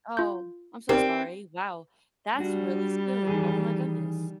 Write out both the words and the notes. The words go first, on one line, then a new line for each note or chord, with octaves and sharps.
Oh, I'm so sorry. Wow, that's really soon, oh my goodness.
F4 G6
C4 D#4 G4 A#4
G3 D4 F#4
D#3 E3 G#4